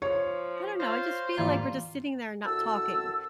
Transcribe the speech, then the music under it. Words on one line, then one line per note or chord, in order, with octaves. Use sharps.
I don't know, I just feel like we're just sitting there and not talking
F3 C#5
F4 C5 A#6
G#2 E3 G3 A#3 F4
C2 F#4 A4 A5 E6